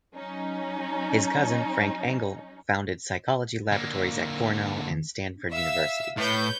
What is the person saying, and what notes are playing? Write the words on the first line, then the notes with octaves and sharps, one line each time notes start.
His cousin, Frank Angell, founded psychology laboratories at Cornell and Stanford Universities.
F#3 C#4 D#4
D3 A#3
E5 F5 E6
A2 B4 C#5 G6